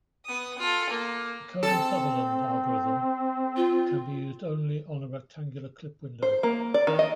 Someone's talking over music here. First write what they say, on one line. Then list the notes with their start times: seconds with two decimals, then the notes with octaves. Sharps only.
The Cohen-Sutherland algorithm can be used only on a rectangular clip window.
0.25 B3 D#6
0.59 F4 A4
0.90 A#3
1.63 C4 A4
3.56 F4
6.23 C5
6.43 A#3
6.74 D5
6.87 D#3
6.99 D#5